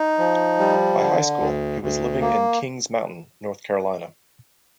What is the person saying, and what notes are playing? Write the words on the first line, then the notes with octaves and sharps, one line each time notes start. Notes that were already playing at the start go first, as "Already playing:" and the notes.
By high school, he was living in Kings Mountain, North Carolina.
Already playing: D#4
F3
G3
D3
D2
D2
A#3